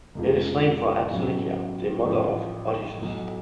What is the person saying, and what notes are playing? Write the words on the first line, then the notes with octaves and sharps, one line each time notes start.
It is named for Anticlea the mother of Odysseus.
F1 F2 C#3 F3 G#3
B1 A2 F#3 C#4
A1 A2 F3
B1 A2 F#3